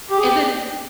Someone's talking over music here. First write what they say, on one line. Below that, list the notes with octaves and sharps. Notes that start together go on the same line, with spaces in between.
and then,
G4
G#4
G4